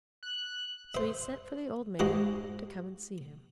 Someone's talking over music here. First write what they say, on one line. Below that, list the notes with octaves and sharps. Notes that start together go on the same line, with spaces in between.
So he sent for the old man to come and see him.
F#6
C5 E5
G#2 G#3 F#4 G4 F#5